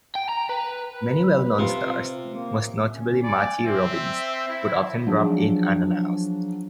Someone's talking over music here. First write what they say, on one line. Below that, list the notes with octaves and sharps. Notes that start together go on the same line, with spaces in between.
Many well-known stars, most notably Marty Robbins, would often drop in unannounced.
G5
A#5
B4
B4
C3 F4
A#3
C#4
D5 G#5
C4 E5
E4
F3 F#3 D4 G#4